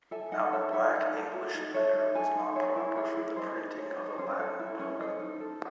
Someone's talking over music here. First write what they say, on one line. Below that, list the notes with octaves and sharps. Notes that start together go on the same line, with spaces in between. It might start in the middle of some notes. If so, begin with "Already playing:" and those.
Our black English letter was not proper for the printing of a Latin book.
A4 E5 G#5
D#4 D#5 F#5
A4 C#5 E5
D#4 C#5 E5
D#4
A4
F#4
D#4
A4 C#5 E5
D#4
A4 E5 G#5
D#4
G#4 C#5 E5
E4
G#4 C#5 E5
E4
G#4 C5 D#5
D#4
G#4 C#5
D#4
C#4 C5
A4
E4
C#4
A4 C5 D#5
D#4
A4